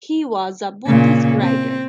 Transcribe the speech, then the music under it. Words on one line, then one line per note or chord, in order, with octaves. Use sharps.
He was a Buddhist writer.
A#2 C#3
C4